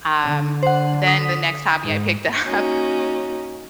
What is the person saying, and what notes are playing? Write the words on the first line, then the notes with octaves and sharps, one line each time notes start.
um, then the next hobby I picked up
D3
C5 F#5
D#6 B6
G#2
A#3 C#4 D#4 F#4